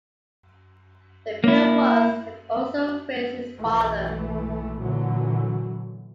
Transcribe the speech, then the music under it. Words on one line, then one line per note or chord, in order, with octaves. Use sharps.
The Purewas had also raised his father.
A#3 E4
B1 E3 A3
A#2 D3 E3 F#3